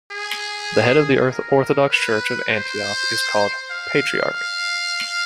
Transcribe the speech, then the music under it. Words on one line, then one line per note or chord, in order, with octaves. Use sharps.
The head of the Orthodox Church of Antioch is called Patriarch.
G#4
A#4
B4
C5
F5
F5